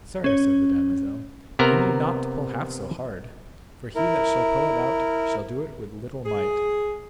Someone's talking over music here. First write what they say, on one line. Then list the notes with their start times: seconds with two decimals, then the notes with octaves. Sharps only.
Sir, said the damosel, you need not to pull half so hard, for he that shall pull it out shall do it with little might.
0.24 C#4 C#5
1.59 C3 B3 A#4 A#5
3.96 E4 A#4
6.26 G#4